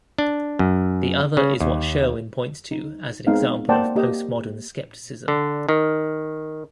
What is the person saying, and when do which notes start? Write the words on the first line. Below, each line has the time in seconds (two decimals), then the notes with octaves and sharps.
The other is what Sherwin points to as an example of postmodern skepticism.
0.19 D4
0.59 F#2
1.37 C#3
1.60 D#2
2.71 D#4
3.27 G#3 B3 C4 D#4 F5
3.69 A#3 C5 D5 F#5 G5 A5
3.96 A#3 G4 D#5
5.28 D3
5.69 D#3